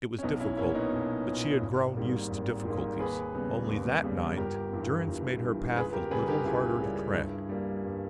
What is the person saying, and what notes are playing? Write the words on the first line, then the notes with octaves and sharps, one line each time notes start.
It was difficult, but she had grown used to difficulties. Only that night Durrance made her path a little harder to tread.
C#4
B1 B3 D#4
C#4 E4
A#2 A#3 C#4 E4
B3 D#4
B1 C#4
A#2 A#3
G#1
G#2 D#3 G3 A#3
G#1
G#2 D#3 G3 A#3
D#2 G#4 B4
C#3 G3 B3
D#2
C#3 G3 B3
G1 G4 A#4
G2 E3
G1
G2 E3
C#2 G#4 B4
G4 A#4
C#3 G3 G#4 B4
G4 A#4
C#2 E4 G#4
C#3 G3
G2
G3 A#3
G2